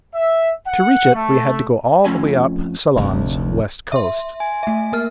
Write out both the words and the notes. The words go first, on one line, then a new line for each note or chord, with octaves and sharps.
To reach it we had to go all the way up Ceylon's west coast.
E5
F#5
A3
F2 A3 C#4 F4 G#5
F1 D2
E5 C6
G#5
A3 E5
A#3 A#4 F6